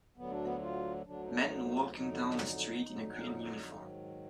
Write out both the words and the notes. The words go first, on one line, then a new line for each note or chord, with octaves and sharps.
Men walking down a street in a green uniform.
D2 D3 F#3 B3
D4
B3
F4
D2 D3 F#3 D4
D#4
D4
D#4
D#4
F4
F2 D3 F#3 D#4
F2 D3 F#3
G#2 D#3 F#3